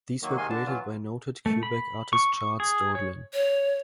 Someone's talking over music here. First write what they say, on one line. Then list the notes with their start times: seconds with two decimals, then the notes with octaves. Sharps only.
These were created by noted Quebec artist Charles Daudelin.
0.22 D#3 F#3 A#3
0.38 C3 D#3 G#3 F5 G#5 C6
0.50 D3 D4 A5
0.66 E3 F#3 F4
1.46 A3
1.63 B5
2.13 C#6
2.34 C#6
2.60 G#4
2.95 C#5
3.33 C#5